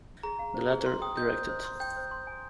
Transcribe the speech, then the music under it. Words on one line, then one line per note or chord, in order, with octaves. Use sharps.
The latter directed.
G#4 A#5
F5
C5
G#4
A#5 C6
G5 D#6
D#5 G6
C5
C5
C6
G5 G6
C5
C6
G#5